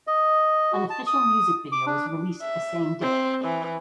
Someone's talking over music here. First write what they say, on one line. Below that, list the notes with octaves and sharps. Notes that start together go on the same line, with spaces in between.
An official music video was released the same day.
D#5
F#4
A5
D#6
D6
D4
E5
C4
E3